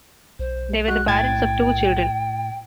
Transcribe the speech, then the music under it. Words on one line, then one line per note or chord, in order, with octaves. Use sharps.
They were the parents of two children.
B1 C5
G#3 F#4 F#6
A2 G5 G#6 A6